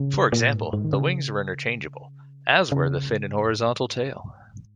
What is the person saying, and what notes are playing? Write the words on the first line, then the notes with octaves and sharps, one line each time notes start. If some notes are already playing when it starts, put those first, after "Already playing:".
For example the wings were interchangeable as were the fin and horizontal tail.
Already playing: C#3
A#2
G#2
G#2
D#3
C#3
C#3
F2
G#2